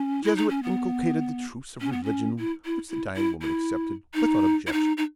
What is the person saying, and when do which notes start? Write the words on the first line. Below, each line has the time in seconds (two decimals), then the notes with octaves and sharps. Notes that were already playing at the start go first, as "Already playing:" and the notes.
The Jesuit inculcated the truths of religion, which the dying woman accepted, without objection.
Already playing: C#4
0.24 E4
0.36 D#4
0.50 C#4
0.63 B3
1.81 C#4
1.92 B3
2.04 C#4
2.39 E4
2.65 E4
2.90 E4
3.16 E4
3.42 E4
4.14 D#4
4.67 E4
4.72 D#4
4.97 D#4